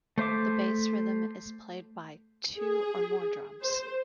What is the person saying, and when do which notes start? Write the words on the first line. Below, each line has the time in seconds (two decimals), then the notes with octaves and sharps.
The base rhythm is played by two or more drums.
0.18 A3 C5 E5 D6
2.57 G#4
3.63 C5